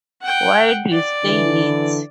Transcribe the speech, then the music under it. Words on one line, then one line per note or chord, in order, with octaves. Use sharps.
Why'd you stay late?
F#5 G5
D5
D3 E3